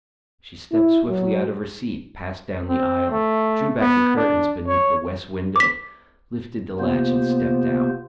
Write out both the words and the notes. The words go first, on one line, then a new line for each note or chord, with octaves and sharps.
She stepped swiftly out of her seat, passed down the aisle, drew back the curtains beneath the west window, lifted the latch and stepped out.
E4
F#3
C4
A3
B3
D4
C#5
D6 B6
C3 A#3 B3 F4 C5